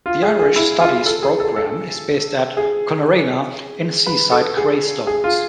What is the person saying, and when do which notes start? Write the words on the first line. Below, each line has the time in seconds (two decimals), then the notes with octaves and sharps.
The Irish Studies Program is based at Coolnagreina in seaside Greystones.
0.06 F4
0.23 G#4
0.39 G#4
0.56 E4
0.81 F4
1.06 A4
1.23 G#4
1.40 A4
1.56 A4
2.57 G#4
4.06 B4
4.32 A4
4.57 G#4
5.07 G#4
5.24 F4